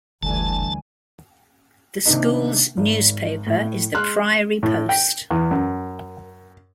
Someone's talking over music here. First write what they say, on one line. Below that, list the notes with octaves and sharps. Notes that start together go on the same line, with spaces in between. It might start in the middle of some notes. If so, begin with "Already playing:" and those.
The school's newspaper is the "Priory Post".
F#1 D2 D3 E3 G3 G#5 A5
C3 D#3 A#3 D4 D#4
G#1
A2
G#3 C6 F6 F#6
A2
G5
E2
F#2